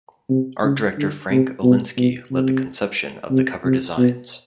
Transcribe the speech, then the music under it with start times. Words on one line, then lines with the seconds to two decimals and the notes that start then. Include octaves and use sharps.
Art director Frank Olinsky led the conception of the cover designs.
0.30 C3
0.64 C#3
0.98 D3
1.31 C3
1.64 B2
1.98 B2
2.31 C3
3.31 C3
3.65 C3
3.98 B2